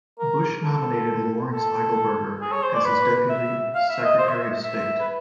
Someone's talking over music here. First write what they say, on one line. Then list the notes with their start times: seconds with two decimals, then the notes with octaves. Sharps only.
Bush nominated Lawrence Eagleburger as his Deputy Secretary of State.
0.19 A#4
0.63 A4
1.52 A4
2.41 G#4
2.52 C#5
2.63 C5
2.74 D5
2.85 B4
3.29 E5
3.74 F5
3.89 E5
4.04 D#5
4.18 C5
4.29 E5
4.40 E5
4.63 E5
5.00 B4